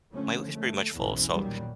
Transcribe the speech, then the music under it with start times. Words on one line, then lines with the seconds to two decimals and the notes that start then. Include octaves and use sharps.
my week is pretty much full, so
0.14 D3 F3 A3 C#4
0.53 A3
0.96 B1 E2 G#2 E3 C#4
1.32 A#2 D#3 F#3 G3